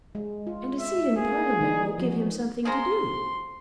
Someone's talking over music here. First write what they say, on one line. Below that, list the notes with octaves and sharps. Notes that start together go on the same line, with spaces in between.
"And a seat in Parliament will give him something to do."
G#3
F4
E5
A#3 G#4
E3 G3 D#4
F3 F#4
F3 G#4 A#5 C6